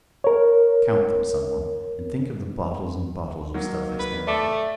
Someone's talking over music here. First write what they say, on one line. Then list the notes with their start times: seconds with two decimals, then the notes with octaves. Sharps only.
Count them, some one, and think of the bottles and bottles of stuff they stand for.
0.24 A#4 C#5
3.54 D#3 F#3 A#3
3.99 B4
4.27 A3 D5 E5 D6